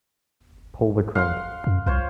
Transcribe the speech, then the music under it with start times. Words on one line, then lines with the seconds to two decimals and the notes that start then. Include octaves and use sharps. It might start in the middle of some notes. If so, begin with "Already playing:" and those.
Pull the crank.
1.15 F5 F#5 C6
1.67 F#2
1.86 C2 F4 C5 C#5